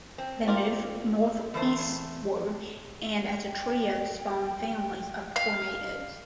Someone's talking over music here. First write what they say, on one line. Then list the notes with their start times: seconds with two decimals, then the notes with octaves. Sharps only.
They moved northeastward, and as a trio spawned families of tornadoes.
0.18 C4
0.48 F4 A#4 D5
1.54 E2 A3 C5
3.44 G5
5.36 F5